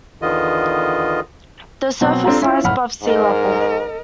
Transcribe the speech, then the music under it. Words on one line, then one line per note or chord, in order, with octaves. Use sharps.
The surface lies at above sea level.
E2 D3 D#3 B3 F4 D#5
B2 F#3 C4
C4 D4 F4 G4 A4 A#5
C#4 E4 F4
F#1 A2 F#5 B5 F6
G#2 A#4 D#5